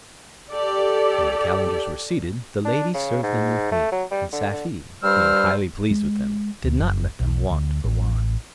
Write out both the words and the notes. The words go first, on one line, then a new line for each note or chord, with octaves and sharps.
When the calenders were seated, the ladies served them with meat; and Safie, being highly pleased with them, did not let them want for wine.
G4 A4 D5
D4
C#3
G#2
A3
F#3
G3
D3
D3
G2 G3 C5 E6 F6
G#3
D2
F#1
B1
D2
A1